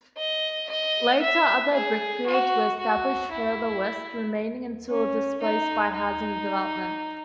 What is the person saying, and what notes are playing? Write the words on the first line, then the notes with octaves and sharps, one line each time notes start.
Later, other brickfields were established further west, remaining until displaced by housing development.
D#5
D#5
E5
G#4
F#4
F#4
E4
C#4
D#4
D#4